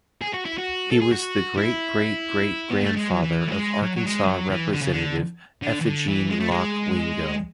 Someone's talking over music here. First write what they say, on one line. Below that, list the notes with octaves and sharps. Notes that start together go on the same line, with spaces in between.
He was the great-great-great-grandfather of Arkansas Representative Effiegene Locke Wingo.
G#4
F#4
E4
F#4
A4
G#4
F#4
E4
B3
A3
G#3
F#3
E3
A3
G#3
F#3
F#3
G#3
F#3
E3
D3
C#3
D3
D3
E3
D3
E3
G#3
A3
G#3